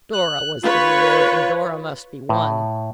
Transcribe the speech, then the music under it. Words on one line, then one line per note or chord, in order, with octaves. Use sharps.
Dora was the reward, and Dora must be won.
F#6
F4 B4 C#5
A2